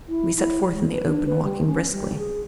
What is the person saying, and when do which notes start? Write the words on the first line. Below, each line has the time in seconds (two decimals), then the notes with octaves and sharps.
We set forth in the open, walking briskly.
0.09 E4
0.36 E4
0.73 G#3
0.92 B4
1.06 D4
1.26 B4
1.43 G3
1.67 C#4
1.91 G3
2.18 G#4